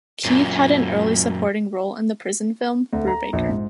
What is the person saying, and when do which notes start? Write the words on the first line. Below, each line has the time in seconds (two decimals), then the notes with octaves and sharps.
Keith had an early supporting role in the prison film "Brubaker".
0.25 F#2 A#2
2.93 D2
3.08 A#5
3.33 A#1
3.49 G#2